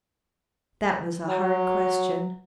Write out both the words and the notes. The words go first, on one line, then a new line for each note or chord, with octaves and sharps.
That was a hard question.
F#3